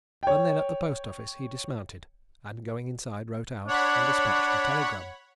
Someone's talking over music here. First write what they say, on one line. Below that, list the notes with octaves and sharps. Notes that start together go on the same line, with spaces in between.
And then, at the post-office he dismounted, and going inside, wrote out and dispatched a telegram.
C#5 G5
D4 C#5 F#5 B5